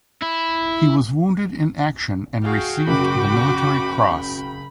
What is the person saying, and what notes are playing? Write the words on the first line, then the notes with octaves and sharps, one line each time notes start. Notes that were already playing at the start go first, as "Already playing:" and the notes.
He was wounded in action and received the Military Cross.
E4
F#4 G#4 F5 G5
F#1 C#3 B5 D6